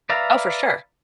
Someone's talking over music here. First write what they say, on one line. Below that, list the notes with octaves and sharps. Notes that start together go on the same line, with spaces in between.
Oh, for sure.
B4 D5 E5 F5 A#5